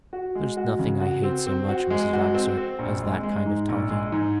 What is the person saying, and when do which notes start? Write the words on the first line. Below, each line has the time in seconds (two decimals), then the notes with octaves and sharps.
There's nothing I hate so much, Miss Vavasor, as that kind of talking.
0.13 F#4
0.35 G#3
0.57 F#4
0.79 C#3
1.01 F#4
1.23 C4
1.47 C4
1.68 F#4
1.90 G#3
2.13 F#4
2.34 C4
2.57 C4
2.79 A#1
3.02 G#3
3.23 G#3
3.46 G#2
3.68 A#1
3.90 G#3
4.12 G#2